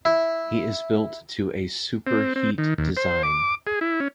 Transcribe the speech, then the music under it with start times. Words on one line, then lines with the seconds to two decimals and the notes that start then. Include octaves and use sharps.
He is built to a "super-heat" design.
0.05 E4
2.07 C4
2.36 C4
2.58 D#3
2.78 D#2
2.97 C5
3.23 D6
3.67 G#4
3.81 E4
4.00 C#4